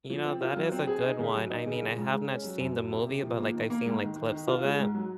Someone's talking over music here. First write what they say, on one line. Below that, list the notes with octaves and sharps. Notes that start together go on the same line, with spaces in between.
You know that is a good one. I mean, I have not seen the movie, but like I've seen like clips of it.
F3
C4
F4
F#3
C4
G#4
D#4
C#3
F#3
D#4
C#3
F3
G#2
G#3
C#4
F#3
F#2
F#3
C3
C3
F3
A#3
D#3
A#3
G#2
D#3
D#3
D#3
F4
G#3
G#2
F#3